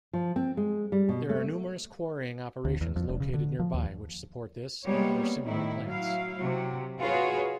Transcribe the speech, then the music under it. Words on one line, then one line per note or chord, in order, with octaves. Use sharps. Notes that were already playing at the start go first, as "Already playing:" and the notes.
There are numerous quarrying operations located nearby which support this and other similar plants.
F3
C4
G#3
G3
B2
A3
D2
E2
F2
E1
C#3
D3
F3
D#2
G3 G#3 A#3 B3 C#5
A2 D#3 E4
F#3 E4 F5
C3 F#3
F4 F#4 G#4 B4 C#5